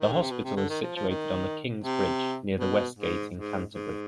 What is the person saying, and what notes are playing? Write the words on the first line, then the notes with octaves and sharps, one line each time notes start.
The hospital is situated on the King's-bridge, near the Westgate, in Canterbury.
D#3
D3
C3
B2
C3
D3
D#3
F3
F3
D#3
C3
B2
G#2
G#2
G#2